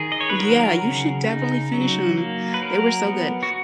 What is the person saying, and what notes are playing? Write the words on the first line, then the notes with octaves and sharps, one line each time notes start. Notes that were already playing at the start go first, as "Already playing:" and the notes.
Yeah, you should definitely finish 'em; they were so good.
Already playing: D#3 G#4
D#5
C#5
B4
F#3 A#4
C#3
D#4
F#3
A#3
B4
F#3 A#4
B3
F#4